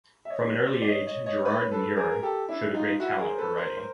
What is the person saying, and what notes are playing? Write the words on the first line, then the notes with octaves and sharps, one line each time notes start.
From an early age, Gerard Mur showed a great talent for writing.
E5
C#5 D#5
C5 D5
D5
C#5 D#5
C#5 D#5
C#5 D#5
B4 C#5
A4 B4
G#4 A#4
A#4
G4 A4
D4 E4
D#4 F4
E4 F#4
G#4 A#4
C5
A4 B4
A#4 C5
A#4 C5